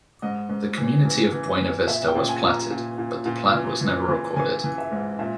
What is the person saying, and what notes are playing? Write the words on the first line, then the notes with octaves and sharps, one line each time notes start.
The community of Buena Vista was platted, but the plat was never recorded.
G#2 D#5
G#2
E3
E3
E3
E3
A#2 E5
G5
A#2
G#5
A#2
A#5
A#2
A#2
A#2
E3
E3
E3
E3 G#5
E3
E5
G#2
A#2 E5